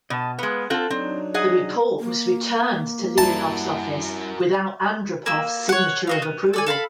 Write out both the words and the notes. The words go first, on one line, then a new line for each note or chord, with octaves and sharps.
The report was returned to Leonov's office, without Andropov's signature of approval.
B2 D#5 A5
G#3 B3 B4 F5
C4 F4 A4 F#5 A5
F#3 C4 D4 D#4
G#4 D#5 F#5
A#3
G3 E4 F#4 A#4 A5
A#3 B5 E6
C#5 F#5
F#4 D#5 F5
B3
A4 D5 G#5
A4 F5 A5 B5